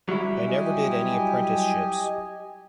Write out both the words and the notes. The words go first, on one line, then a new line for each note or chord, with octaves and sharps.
I never did any apprenticeships.
F#3 G3 E4
G4 D#5 G#5